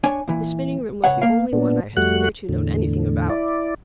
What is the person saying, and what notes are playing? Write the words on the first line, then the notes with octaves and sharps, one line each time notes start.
The spinning-room was the only one I had hitherto known anything about.
D4 C#5 G#5
A#2 E3
C#2 C#5 F#5
A#3 F5
A#2 B3 D4
F2 G3 A3 F#4 F#5 F#6
E2 A2 D3
E4 D5